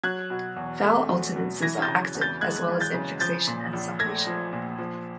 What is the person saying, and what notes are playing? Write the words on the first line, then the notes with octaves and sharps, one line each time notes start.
Vowel alternances are active, as well as infixation and suppletion.
F#3 F#6 G#6
B2
E2
A3
F#3
B2
E3 G#6 A#6
G6 A6
C#3
E2
G6 A6
G#3 F#6 G#6
E3
G6 A6
C#3
F3 G6 A6
A#2
A#1
A3 G#6 A#6
F3
A#2
F3